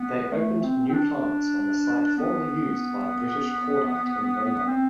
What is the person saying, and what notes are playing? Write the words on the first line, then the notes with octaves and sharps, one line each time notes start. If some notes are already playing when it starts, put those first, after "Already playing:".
They opened new plants on the site formerly used by British Cordite in Nobel.
Already playing: B3
A3
C4
C4
D4
B3
C4